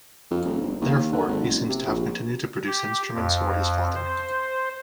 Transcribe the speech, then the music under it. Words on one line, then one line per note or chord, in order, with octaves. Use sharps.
Therefore, he seems to have continued to produce instruments for his father.
F2
D#1
G1
D#2
D3
G#1
F#1
C3
A#1
G4
F2
C5